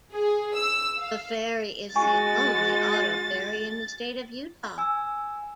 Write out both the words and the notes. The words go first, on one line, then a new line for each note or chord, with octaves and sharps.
The ferry is the only auto ferry in the state of Utah.
G#4
E6
F5
G#3 F#4 G#5 C#6 A6
G#5 E6